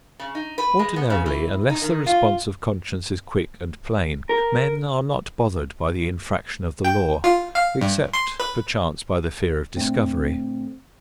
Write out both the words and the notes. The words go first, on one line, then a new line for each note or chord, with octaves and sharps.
Ordinarily unless the response of conscience is quick and plain, men are not bothered by the infraction of the law except, perchance, by the fear of discovery.
C#3
D#4
B4
G#3
B3
C#3
E3
D#4
D#3
F4
A#4
G5
F4
F5
G2
C6
B4
A#2 D3 A3 C4